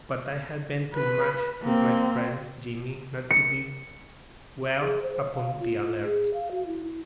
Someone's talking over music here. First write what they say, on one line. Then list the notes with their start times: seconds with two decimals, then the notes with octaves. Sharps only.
But I had been too much with my friend Jimmy not to be well upon the alert.
0.94 B4
1.63 A#3 C4
3.30 C#7
4.80 G#4
5.02 C5
5.17 C#5
5.34 F5
5.61 F4
5.82 F4
6.04 G#4
6.34 F5
6.51 F#4
6.67 E4
6.84 E4